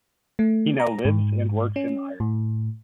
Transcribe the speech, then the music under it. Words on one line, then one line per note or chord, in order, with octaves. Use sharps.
He now lives and works in Ireland.
A3
A#5
G#2
C#4
A2